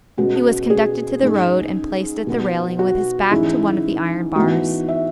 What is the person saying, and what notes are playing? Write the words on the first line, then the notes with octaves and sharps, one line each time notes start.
He was conducted to the road and placed at the railing with his back to one of the iron bars.
B2 G#3 C#4 F#4
G#4
G#2 G#3 C#4
B2 B3
F#4
G#2 E3 G#3 C#4 E4
G#2 E3 B3 F#4
E5